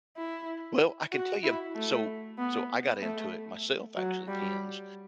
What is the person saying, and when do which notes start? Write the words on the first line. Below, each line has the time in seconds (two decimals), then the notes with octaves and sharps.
Well, I can tell you. So so I got into it myself, actually, pins,
0.17 E4
1.12 F#4
1.44 E4
1.75 A3
2.38 B3
3.02 A3
3.97 F#3
4.28 G3